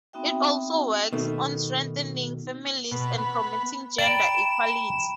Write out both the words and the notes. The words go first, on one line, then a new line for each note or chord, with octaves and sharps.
It also works on strengthening families and promoting gender equality.
B3 C4 D#4 F#4 E5 G5
B2 D#3 A3
B2
B3
D5 G5 A#5 B5 D7 E7